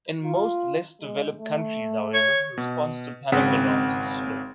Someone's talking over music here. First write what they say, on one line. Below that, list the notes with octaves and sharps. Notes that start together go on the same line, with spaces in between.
In most less developed countries however, response to panic alarms are slow.
F4
G#3
A3
C#5
B2
G#1 C#3 C4 F#5 B6